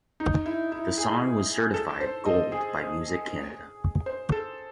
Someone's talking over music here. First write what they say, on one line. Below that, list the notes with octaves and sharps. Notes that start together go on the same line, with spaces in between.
The song was certified Gold by Music Canada.
D#4
E4
E4
G#4
A4
C5
D#5
G#4
C5
A4